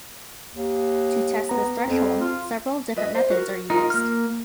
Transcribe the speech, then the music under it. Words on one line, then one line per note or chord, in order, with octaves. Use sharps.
To test this threshold, several different methods are used.
D#2
B3 A#5
F2 C4
F4
B4 D#5 E5
C5
F#4 A#4
D#4 F4 A#4
A#3 F6